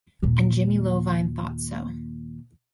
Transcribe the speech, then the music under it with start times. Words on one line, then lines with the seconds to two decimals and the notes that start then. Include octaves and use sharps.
And Jimmy Iovine thought so.
0.23 D#2 A#2